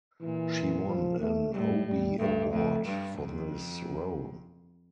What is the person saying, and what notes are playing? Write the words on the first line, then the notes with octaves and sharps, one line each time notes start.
She won an Obie Award for this role.
A#2 E3
F3
A3
A2 G3
G3
G2 A3
F2 A3
G2
F2